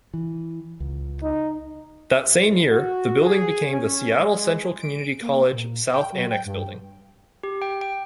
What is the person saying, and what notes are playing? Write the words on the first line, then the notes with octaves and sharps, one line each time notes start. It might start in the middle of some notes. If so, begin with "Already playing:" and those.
That same year, the building became the Seattle Central Community College south annex building.
E3
C#2
D#4
C2
F#4
G#4
C#4
G#3
D7
A#3
A#2
G5
F#3
G5
G2
G4
G5
G5